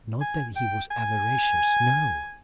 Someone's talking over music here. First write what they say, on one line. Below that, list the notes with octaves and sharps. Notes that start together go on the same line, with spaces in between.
Not that he was avaricious--no.
G#5
G5
G#5